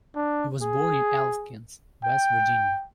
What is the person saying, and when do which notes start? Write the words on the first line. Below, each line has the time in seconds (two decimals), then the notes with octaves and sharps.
He was born in Elkins, West Virginia.
0.15 D4
0.62 G#4
2.04 G5